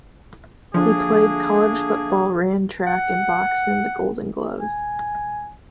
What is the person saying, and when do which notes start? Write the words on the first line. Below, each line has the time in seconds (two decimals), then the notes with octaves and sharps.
He played college football, ran track and boxed in the Golden Gloves.
0.74 D3 F3 A3 A#3 D4 G#4
2.87 F#5
4.60 D#1 G#5